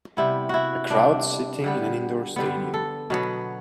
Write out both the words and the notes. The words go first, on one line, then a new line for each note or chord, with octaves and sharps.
A crowd sitting in an indoor stadium.
C3 G3 B3 E4
E4 F#4
C3 G3 B3 D4
D3 G3 B3
D3 G3 B3
A4
B2 F#3 B3